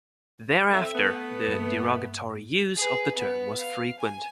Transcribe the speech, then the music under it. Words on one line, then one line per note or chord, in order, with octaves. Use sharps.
Thereafter, the derogatory use of the term was frequent.
C4 A4 E5
A3 B3
G2 A#3
G#4 B4
B3
F5
G#5